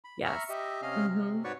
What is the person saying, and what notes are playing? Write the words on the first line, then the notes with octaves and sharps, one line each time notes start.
Yes. Mhm.
B5
E5 A#5 B5 C#6 F6
G4 D#5 E5
C3 C#4 D#5 F5 F6
C3
G#2 F#4 B4 C#5 D5 C#6